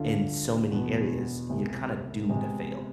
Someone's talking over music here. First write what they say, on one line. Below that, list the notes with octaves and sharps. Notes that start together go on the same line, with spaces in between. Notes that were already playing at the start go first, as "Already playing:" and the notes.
in so many areas, you're kinda doomed to fail.
Already playing: D2 D3 A3 D4 F4
E2 B2 B3
C2 C3 G#3
C3 G#3 B3